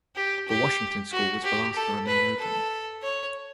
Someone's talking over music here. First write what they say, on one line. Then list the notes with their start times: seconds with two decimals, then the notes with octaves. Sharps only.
The Washington School was the last to remain opened.
0.16 G4
0.48 G4
1.12 F#4
1.44 G4
1.76 A4
2.07 B4
2.39 A4
3.02 C#5